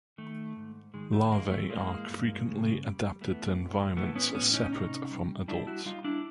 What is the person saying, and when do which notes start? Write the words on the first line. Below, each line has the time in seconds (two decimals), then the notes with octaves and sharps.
Larvae are frequently adapted to environments separate from adults.
0.18 D#3 A3
0.56 G#2
0.94 D#3 G#3
1.13 A3
1.32 G#2 G#3 A#3
1.51 A3
1.69 E3 G#3 A#3
2.08 G2
2.46 C#3
2.83 G3
3.21 E3 A3 B3
3.59 A2
3.96 E3 A3 B3
4.16 B3 C#4
4.34 A2 B3 C#4
4.54 C#4 D#4
4.72 C3 C#4 D#4
5.11 G3
5.48 G3 D4 E4
5.67 E4 F#4
5.86 G3 D#4 F4
6.04 D4 E4